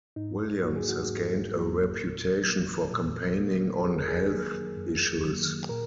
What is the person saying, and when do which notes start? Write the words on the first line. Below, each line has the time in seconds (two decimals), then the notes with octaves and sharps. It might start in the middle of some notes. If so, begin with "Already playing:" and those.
Williams has gained a reputation for campaigning on health issues.
0.16 G#2 D#4
0.62 F#3 A#3 F#4
0.76 G#4
0.89 F#4
1.08 G#2
1.54 F#3 A#3
2.01 A#2
2.47 F#3 A#3
2.93 A#2
3.39 F#3 A#3
3.85 F#2 G#4
3.96 A#4
4.08 G#4
4.31 D#3 F#3 A#3
4.77 F#2
5.23 D#3 F#3 A#3
5.69 A#2 A#4